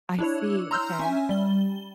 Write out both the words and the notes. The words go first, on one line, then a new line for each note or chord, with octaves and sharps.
I see, okay.
D4 E4 C#5
A#5 C6 E6 F6 G6
C#4 E5 G#5
G3 G7